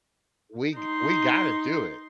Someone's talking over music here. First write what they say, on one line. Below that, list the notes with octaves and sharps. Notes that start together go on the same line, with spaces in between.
we g we gotta do it.
D#4 C6